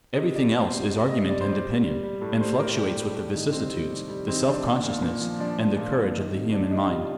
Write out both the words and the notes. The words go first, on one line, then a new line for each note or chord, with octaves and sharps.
Everything else is argument and opinion, and fluctuates with the vicissitudes, the self-consciousness, and the courage of the human mind.
C3 D#5
C3 D5
C3 C5
C3 C5
G3 D5
G3 D#5
G3 D5
C5
G3
D5
G3
G3
G3
A2
G3 C5
A2 A#4
G3 G4
A2
G3
D#3
C3 C4
G3
G3
G3
D#3 C4
D#3 D4
A#2
A#2
A#2
F3
F3 D4
A#2
A#2
A#2
D#3
C3
C3 D4
G3 D#4
C3 F4